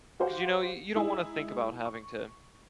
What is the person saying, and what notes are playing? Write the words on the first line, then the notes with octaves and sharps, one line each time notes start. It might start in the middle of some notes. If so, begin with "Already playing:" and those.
'Cause, you know, you you don't wanna think about having to
F#4 G4 C5 F5 F#5
G#3 D#4 E4 G#4
C#6